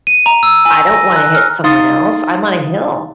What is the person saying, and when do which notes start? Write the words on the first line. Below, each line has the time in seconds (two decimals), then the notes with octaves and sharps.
I don't wanna hit someone else, I'm on a hill.
0.07 D#7
0.26 A#5
0.43 E6
0.65 G#5
0.87 A#6
1.16 F#6
1.35 F6
1.64 D#4 F5 C6 D#6 A6